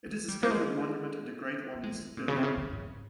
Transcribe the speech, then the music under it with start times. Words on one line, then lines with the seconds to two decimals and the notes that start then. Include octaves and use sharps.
It is a scheduled monument and a Grade One listed building.
0.06 A#3
0.28 G3
0.43 A#3
0.51 G#3
1.74 A#3
1.83 G#3
1.94 G#3
2.05 C3
2.17 A#2
2.28 C#3
2.37 C3
2.43 C#3
2.57 C#3
2.73 G#2